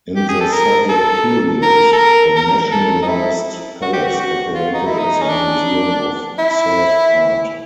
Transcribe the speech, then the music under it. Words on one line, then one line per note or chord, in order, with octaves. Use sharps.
In the Soviet period the nationalized palace operated as a museum of serf art.
G4
G#4
A4
A#4
A4
A#4
A4
A#4
A#4
A4
D#4
E4
F#4
G4
F#4
F#4
F4
D#4
E4
D#4
C#4
D4
E4